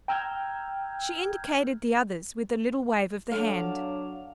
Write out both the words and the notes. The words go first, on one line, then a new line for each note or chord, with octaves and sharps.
She indicated the others with a little wave of the hand.
G5 A#5 E6 F6 G6 G#6
F#3 D4 A4 F5